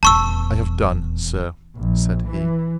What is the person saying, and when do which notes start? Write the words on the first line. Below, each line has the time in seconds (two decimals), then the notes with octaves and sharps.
I have done, Sir, said he.
0.03 D#1 E2 A5 C#6 E6
1.80 A#1
2.27 E3